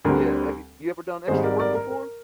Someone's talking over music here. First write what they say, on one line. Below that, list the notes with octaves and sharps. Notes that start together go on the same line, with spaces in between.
Yeah, have you you ever done extra work before?
D2 D3 G3 C4 A#4
G#1 G#2 G3 G#4 C5
A#4 D5
A#4 D5
A#4
A#4